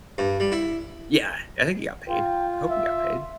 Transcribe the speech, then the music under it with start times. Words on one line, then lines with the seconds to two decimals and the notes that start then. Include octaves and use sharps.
Yeah! I think he got paid. I hope he got paid.
0.18 G2
0.40 G3
0.52 E4
2.08 F4 G5
2.70 E5